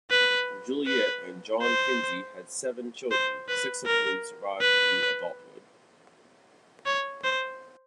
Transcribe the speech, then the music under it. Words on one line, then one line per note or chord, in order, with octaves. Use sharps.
Juliette and John Kinzie had seven children, six of whom survived to adulthood.
B4
B4
C5
C5
B4
A#4
B4
C#5
C5